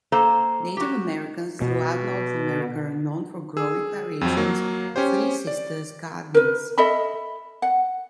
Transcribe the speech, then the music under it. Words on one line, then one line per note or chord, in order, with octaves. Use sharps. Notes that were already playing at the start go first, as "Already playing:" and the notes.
Native Americans throughout North America are known for growing variations of Three Sisters gardens.
A#3 A4 C5 A#5
F#4 G4
B2
G#4 E6
F2 F3 F#3
F#3 A#3
C#4 G4 C5
D5
A#4 B4
A4 D#5 E5 B5
F#5